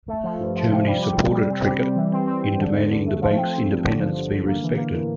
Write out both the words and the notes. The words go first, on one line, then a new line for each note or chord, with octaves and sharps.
Germany supported Trichet in demanding the bank's independence be respected.
A3
F3
G2
F3
C3
G3
G3
C3
G3
C4
G3
G3
E3
C4
C4
C4
D3
E2
D3
A3
F3
C4
C4
G2
D3
F3
G1
D3
A#3
E3
A#3
A2